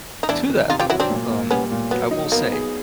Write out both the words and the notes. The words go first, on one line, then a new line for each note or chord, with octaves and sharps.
to that though, um, I will say,
D#4
E2 D4 E4
D#3
C3 D#4 F4
F4 G4
F#3 E4 F#4
C4 D4
A#2
A#3
G3 B3 C#4
A#2
F#3 B3
D#4
A#3 B3
G#4